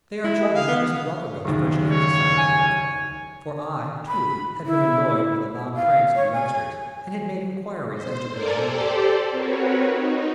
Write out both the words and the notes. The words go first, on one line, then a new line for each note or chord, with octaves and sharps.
"They are children from Mrs. Rockerbilt's Fresh-Air Society," I explained, for I, too, had been annoyed by the loud pranks of the youngsters and had made inquiries as to their identity.
G#3 E4
G4 D#5 G#5
F5 D#6
B3
F#1 D#2
C#5
G#5
B5
E4
F5
C#5
G#5
C5
A4 A#4 D5 G#5 A#5
G4 A4 C5 D5
C4 F#4 A#4 B4 C#5
D#4